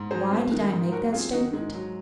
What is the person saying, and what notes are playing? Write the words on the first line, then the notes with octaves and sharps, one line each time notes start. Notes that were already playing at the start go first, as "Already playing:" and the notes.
Why did I make that statement?
Already playing: G#2
F#3 G#4 C5
C4
D#3
G#2
F#3 F#4 A#4
C4 F4 G#4
D#3 D#4 F#4
G#2 G#3
F#3